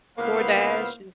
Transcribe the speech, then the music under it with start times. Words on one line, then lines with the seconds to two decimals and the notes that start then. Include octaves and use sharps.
DoorDash an
0.18 C#2 A#3 B3 E4 B4 C5 F5